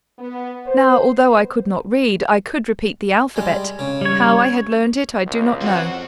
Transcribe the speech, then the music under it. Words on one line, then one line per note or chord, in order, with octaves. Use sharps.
Now, although I could not read, I could repeat the alphabet; how I had learned it I do not know.
B3
C5
B3
G3 G#3
C#3
G3 C#5
C#2
F3 C4 F#4 F#5